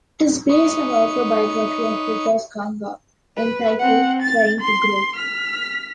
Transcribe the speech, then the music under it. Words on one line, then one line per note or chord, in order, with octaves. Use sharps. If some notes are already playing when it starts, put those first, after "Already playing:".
It is based on the autobiography of Firdaus Kanga entitled "Trying to Grow".
D#4 B4 C#5
B4
C4 F#5
A6
C6
F6 B6